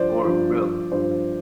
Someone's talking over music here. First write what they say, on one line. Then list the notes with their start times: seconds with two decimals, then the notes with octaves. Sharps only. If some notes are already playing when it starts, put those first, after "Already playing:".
or really
Already playing: G2 F3 C5 D5
0.24 G2 F3
0.92 G2 F3 C5